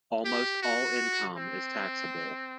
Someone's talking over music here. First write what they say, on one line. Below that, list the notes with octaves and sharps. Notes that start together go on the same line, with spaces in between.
Almost all income is taxable.
G4
F#4
C4